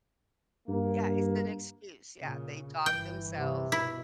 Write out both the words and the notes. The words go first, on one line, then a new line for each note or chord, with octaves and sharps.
Yeah, it's an excuse, yeah. They talk themselves
G2 A#3
A#2 C#3
G1 E3 G5
C3
B2 E4